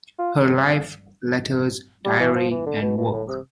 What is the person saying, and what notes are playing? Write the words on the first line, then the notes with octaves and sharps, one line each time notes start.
Her Life, Letters, Diary, and Work.
F4
G3
E3
F3
E3
D3
B2
B2
A2
C3